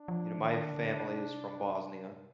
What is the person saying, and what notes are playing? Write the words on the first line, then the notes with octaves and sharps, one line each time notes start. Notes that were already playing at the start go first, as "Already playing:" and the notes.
You know, my family is from Bosnia,
Already playing: D4
F3
D#3
D3
C3